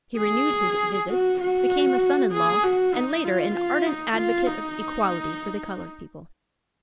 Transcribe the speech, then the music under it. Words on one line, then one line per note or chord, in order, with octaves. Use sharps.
He renewed his visits, became a son-in-law, and, later, an ardent advocate of equality for the colored people.
G#4
F#4
F#4
G#4
F#4
D#4
F4
F4
D#4
F4
D#4